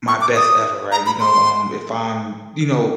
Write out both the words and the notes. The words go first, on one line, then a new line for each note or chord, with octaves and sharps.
my best ever, right? You know? Um, if I'm, you know,
C#6
D6
D#6
A#5
B5
C6